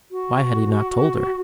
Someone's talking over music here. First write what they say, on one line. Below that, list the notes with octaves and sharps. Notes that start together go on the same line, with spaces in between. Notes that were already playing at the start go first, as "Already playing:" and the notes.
Why had he not told her?
F#4